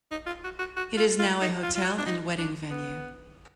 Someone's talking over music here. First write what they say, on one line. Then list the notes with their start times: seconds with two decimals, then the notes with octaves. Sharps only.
It is now a hotel and wedding venue.
0.11 D#4
0.27 F4
0.44 F#4
0.59 F#4
0.76 F#4
0.97 F4
1.19 F4
1.41 D#4
1.63 F4
1.75 F4
1.84 F#4
1.98 D4
2.06 D#4
2.38 D4
2.71 B3